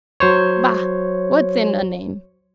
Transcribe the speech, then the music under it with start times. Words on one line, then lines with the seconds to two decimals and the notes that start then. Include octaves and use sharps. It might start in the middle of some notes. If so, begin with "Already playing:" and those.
Bah! what's in a name?
0.20 F#3 C5 C#5